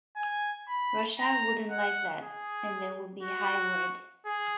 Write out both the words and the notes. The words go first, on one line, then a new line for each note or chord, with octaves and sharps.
Russia wouldn’t like that, and there would be high words.
G#5
B5
A#5
F#5
G#4
F#4
G#4